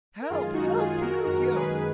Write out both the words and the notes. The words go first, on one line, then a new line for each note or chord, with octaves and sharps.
"Help, help, Pinocchio!"
A#4
F#2 D#3 G#3 F4 G#4
D#4 F#4
F4 G#4
F#4 A#4
F#2 D#3 G#3 F#4 A#4
G#4 B4